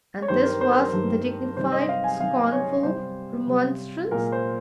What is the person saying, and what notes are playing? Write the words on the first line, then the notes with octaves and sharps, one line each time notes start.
And this was the dignified, scornful remonstrance!
C#5
G2 D#3 G3 C5
A#4
C5
A#4
G2 D#3 G3
C3 D#3 G3 C5
D#5
F5
G#5
C3 D#3 G3 F5
C#5
C3 G3 C5
C3 G3
A#2 G#3 A#4
C5